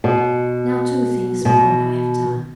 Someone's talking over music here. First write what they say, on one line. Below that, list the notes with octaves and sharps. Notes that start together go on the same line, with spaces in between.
Now two things more, and I have done.
B2
B2